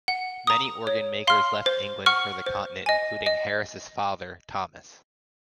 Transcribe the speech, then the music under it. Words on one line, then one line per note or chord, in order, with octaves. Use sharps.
Many organ makers left England for the continent, including Harris' father, Thomas.
F#5
A#5 D#6
C#5
F5 C6 F6
C5
F#5 C#6 F6
C5
D#5 G#5
D#5